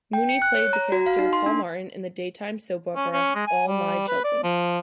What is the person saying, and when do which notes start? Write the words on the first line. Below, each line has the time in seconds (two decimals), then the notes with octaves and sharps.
Mooney played the character Paul Martin in the daytime soap opera "All My Children".
0.13 G5
0.29 C#7
0.42 F#6
0.54 C#5
0.73 A#5
0.92 F#4
1.06 F5
1.19 D#4
1.33 C6
1.46 D4
2.96 C#4
3.13 C#4
3.35 G#3
3.47 G#5
3.67 G3
4.08 B4
4.24 D5
4.43 F3